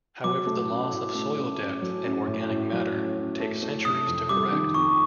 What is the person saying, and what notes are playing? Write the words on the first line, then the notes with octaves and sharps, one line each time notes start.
However, the loss of soil depth and organic matter takes centuries to correct.
F#3 D6
A3
C#4
A2
A3
C#4
C#4
F#3
C#4
A2
A2
F#3
A2
C#4
A3
A3
C3 D#6
F2
G3 D6
D#3
F2 C#6